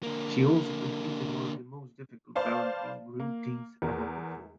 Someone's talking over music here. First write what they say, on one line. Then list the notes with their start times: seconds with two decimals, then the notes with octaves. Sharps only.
She also competed one of the most difficult balance beam routines ever performed.
0.03 D3 A#3
2.35 B4 C5 D5 F5 A5
3.20 A#3
3.82 E2 A#4